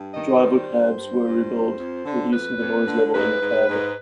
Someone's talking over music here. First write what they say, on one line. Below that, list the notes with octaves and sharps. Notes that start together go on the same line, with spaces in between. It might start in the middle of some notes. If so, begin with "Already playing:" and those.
Driver cabs were rebuild, reducing the noise level in the cab.
Already playing: G2
D#3 D#5
G3 C5
G2
G2
G2
F2
F2
D3
F2 B4
F2
D3
G#2 B4
G#2
G#2